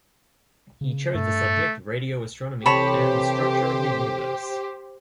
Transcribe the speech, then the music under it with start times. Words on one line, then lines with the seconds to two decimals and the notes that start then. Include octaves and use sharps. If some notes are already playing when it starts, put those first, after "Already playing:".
He chose the subject 'Radio Astronomy and the Structure of the Universe'.
0.81 C#3
1.15 G2 A3
2.66 C3 E3 G4 A4 C5 C#5 A5 B5